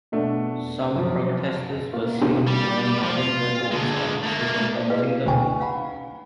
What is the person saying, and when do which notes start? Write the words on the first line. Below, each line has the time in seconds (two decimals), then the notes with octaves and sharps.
Some protesters were seen throwing items at police officers and taunting them.
0.12 B2 A3 D4
0.95 F#2 F3
1.93 A#3 F4
2.47 G3
3.03 F3
3.16 F4
3.71 D3 G#3
4.23 A3 A#3
4.74 C5 D5 E5
4.90 E4 F#4 G#4 B4 D#5 F5
5.28 D4 G5 G#5 A#5 C#6
5.59 C#4 D#4 F5 F#5 A#5 B5